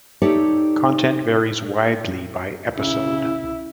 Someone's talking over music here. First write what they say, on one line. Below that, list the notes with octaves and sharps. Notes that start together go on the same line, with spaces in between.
Content varies widely by episode.
D#4 G4 A4 C#5 D5 E5
C#3 E4